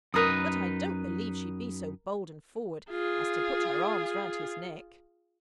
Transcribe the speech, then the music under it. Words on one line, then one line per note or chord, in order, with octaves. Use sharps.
But I don't believe she'd be so bold and forward as to put her arms round his neck.'
F#2 D#4 A#4 B4 D#6
F4 G#4